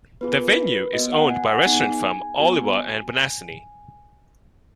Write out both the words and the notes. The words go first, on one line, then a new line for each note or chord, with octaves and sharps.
The venue is owned by restaurant firm Oliver and Bonacini.
B3 F4 G#4 B4
A#4
B4
F#4 D#5
B3
F#5
G#5
F#5
B3 D#4 G#4 G#5
B3 F#4